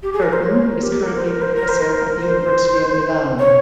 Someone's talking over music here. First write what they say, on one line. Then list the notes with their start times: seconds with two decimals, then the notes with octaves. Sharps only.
Bertin is currently Professor at the University of Milan.
0.03 G4
0.13 G#4
0.23 A#4
0.33 C5
0.43 C#5
0.63 A#4
0.83 G4
1.03 A#4
1.16 C5
1.29 A#4
1.42 C5
1.55 A#4
1.69 C5
1.82 A#4
2.21 C5
3.39 C#5